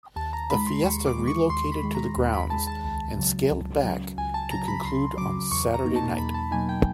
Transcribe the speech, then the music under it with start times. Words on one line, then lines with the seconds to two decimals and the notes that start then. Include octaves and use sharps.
The Fiesta relocated to the grounds and scaled back to conclude on Saturday night.
0.16 D#2 A5
0.33 A#5
0.50 D#3 B5
0.54 G#3
0.67 C6
0.84 D#2 C#6
1.06 D6
1.16 D#3 G#3
1.28 C#6
1.50 D#2 C6
1.72 B5
1.83 D#3 G#3
1.95 A#5
2.17 D#2
2.33 B5
2.50 D#3 G#3 A5
2.67 A5
2.84 C#2
3.17 C#3 F#3
3.51 C#2
3.84 C#3 F#3
4.18 C#2 G#5
4.34 A5
4.50 C#3 F#3 A#5
4.68 B5
4.84 C#2 C6
5.18 C#3 F#3 D6
5.51 E2 C#6
5.74 A#5
5.85 B2 F#3 A#3 D#4
5.96 A5
6.18 E2 B5
6.34 A5
6.51 B2 F#3 A#3 D#4 G#5
6.69 G5